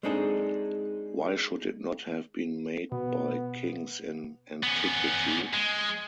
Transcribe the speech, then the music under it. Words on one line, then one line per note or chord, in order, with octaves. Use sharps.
Why should it not have been made by kings in antiquity?
G#3 C4 D4 D#4 G#4 A4
B2 B3
B3 C#4
G#3